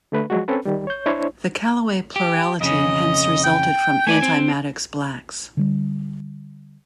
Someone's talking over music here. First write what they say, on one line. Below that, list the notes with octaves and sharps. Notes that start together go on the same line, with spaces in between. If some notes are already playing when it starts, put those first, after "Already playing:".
The Callaway plurality hence resulted from anti-Maddox blacks.
D3 A3 B4
F3 F#3 G#3 F#4
C4 C#4 A4 B4
D#3 G3
C#5 G6
D4 E4 C5 C#5
G4
F2 C#3 C#4 D#5
G5
A3 B4 D5 G#5
C4
D3 G3